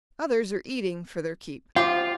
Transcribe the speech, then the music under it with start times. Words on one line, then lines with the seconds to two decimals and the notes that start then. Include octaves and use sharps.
"Others are eating for their keep."
1.76 F3 F4 G4 G5